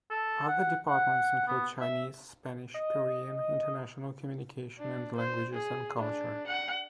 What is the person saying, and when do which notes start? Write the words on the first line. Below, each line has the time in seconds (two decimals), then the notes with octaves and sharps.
Other departments include Chinese, Spanish, Korean, International Communication, and Languages and Culture.
0.11 A4
0.48 F#5
0.88 F#5
1.48 B3
1.81 E5
2.74 D#5
4.79 D4
5.17 C5
5.53 G#4
5.98 D4
6.47 F#5